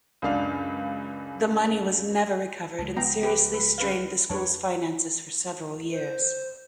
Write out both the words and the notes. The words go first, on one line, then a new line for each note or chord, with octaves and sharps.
The money was never recovered and seriously strained the schools finances for several years.
C#2 F#2 D4 F5
C#2 F3 G#3 A5
B3 G5 A#5
B3 G4 B4
B4
C#4 B4 F5
F2 F#3 D4 B4 C#5 A5
C5